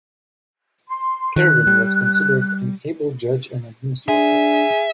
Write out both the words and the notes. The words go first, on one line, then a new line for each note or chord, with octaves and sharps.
Kerwin was considered an able judge and administrator.
C6
D#3 F#6
G3
D4 G#4 E5